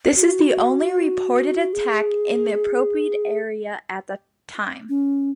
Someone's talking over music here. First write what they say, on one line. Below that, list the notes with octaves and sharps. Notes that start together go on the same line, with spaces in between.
This is the only reported attack in the appropriate area at that time.
F#4
G#4
C#4